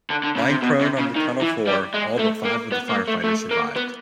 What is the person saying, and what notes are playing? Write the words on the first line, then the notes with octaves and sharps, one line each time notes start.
Lying prone on the tunnel floor, all but five of the firefighters survived.
D3
D3
C#3
C3
B2
C3
C#3
D#3
E3
G3
G#3
A3
A#3
B3
A#3
A3
A3
A#3
B3